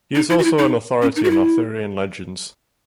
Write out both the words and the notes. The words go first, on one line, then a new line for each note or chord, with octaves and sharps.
He is also an authority on Arthurian legends.
D#4
E4
F#4
E4
D#4
C#4
D#4
F#4
E4